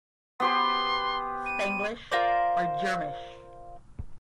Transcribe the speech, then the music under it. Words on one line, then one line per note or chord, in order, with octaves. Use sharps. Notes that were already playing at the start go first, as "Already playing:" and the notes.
Spanglish or Germish.
B3 G4 C5 C6
D#7
F4 A#4 C5 D5